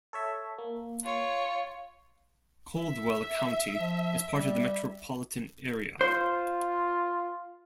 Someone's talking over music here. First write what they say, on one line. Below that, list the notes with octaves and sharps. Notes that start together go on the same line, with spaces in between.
Caldwell County is part of the metropolitan area.
A4 C#5 E5
A#3
F4 C#5
E5
F3
G3
F4 C5